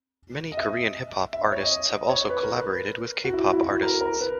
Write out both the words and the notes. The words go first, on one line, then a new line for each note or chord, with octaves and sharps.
Many Korean hip hop artists have also collaborated with K-pop artists.
D#5
E5
E5
C#5
D#5
C#5
B4
A#4
B4
F#4
E4
F#4
E4
F#4
A#4
A#4
B4